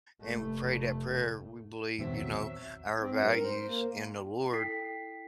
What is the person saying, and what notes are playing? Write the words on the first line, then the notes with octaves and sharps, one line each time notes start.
and we pray that prayer, we believe, you know, our values in the Lord
F1 A3
A#1 E2 B2 D#3 F#3 C4 E5
C4
G2
A#4
C5
A#3
E4 A4 G5 B6 C7